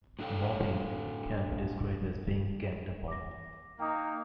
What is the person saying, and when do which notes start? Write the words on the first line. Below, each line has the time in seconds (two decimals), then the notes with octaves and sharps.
Mobbing can be described as being ganged up on.
0.19 A2 D4 A4 F5 G5
3.08 D6 A#6
3.80 A#3 D#4 G5 D#6